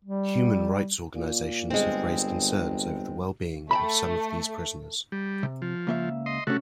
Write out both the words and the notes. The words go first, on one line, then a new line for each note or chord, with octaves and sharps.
Human rights organisations have raised concerns over the well-being of some of these prisoners.
G3
A#2
G1 G#3 C4
A3 G5 A5 B5
G3
C3
F3
C#2 A#3 E5
D#5 C6
C3 A3 C#4 F#4